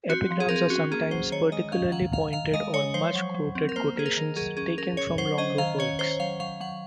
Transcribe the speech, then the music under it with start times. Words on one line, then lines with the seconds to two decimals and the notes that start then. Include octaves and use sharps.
Epigrams are sometimes particularly pointed or much-quoted quotations taken from longer works.
0.09 C4 F#4
0.31 F3
0.40 G#4
0.49 C4 A#4
0.56 G#4
0.70 C#4 F#4
0.91 A#3 G#4
1.11 F#3 C5
1.32 D#3 C#5
1.52 G#3 D#5
1.72 C#4 F5
1.92 D#3 F#5
2.12 D#3 F5
2.33 D#3 F5
2.54 G#3 D#5
2.73 G#3 C#5
2.94 F3 C5
3.15 F#3
3.34 F#3
3.55 C4
3.69 A#4
3.76 A#3 C5
3.96 A#3 G#4
4.06 A#4
4.17 D#3
4.36 F#3 G#4
4.57 C#4 G#4
4.78 C#4 A#4
4.97 C#4 C#5
5.18 F#3 C5
5.38 C#4 D#5
5.58 D#3 F5
5.79 C#4 C#5
5.99 D#3 C5
6.20 F#3 F5
6.40 F#3 F5
6.61 F#3 F#5